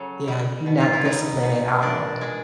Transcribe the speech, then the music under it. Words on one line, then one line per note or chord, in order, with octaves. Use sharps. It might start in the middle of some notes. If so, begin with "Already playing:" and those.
yeah, you not disciplined at all.
Already playing: C#3 F#3 A4
G3
B2
F4
E4
G3 D#4
B2
A#2 D4
G#3